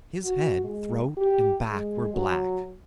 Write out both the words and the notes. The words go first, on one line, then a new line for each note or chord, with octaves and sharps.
His head, throat and back were black.
F#4
G#3
G4
G#3
F#3